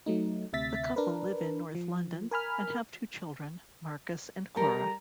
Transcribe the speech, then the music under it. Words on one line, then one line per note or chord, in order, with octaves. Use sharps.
The couple live in North London, and have two children, Marcus and Cora.
F#3 A3 D#4
D2 C3 E5 A6 B6
D4 A#4 B4
F3
A#4 G#5 B5 F6
G3 G4 A4 A#4 A#5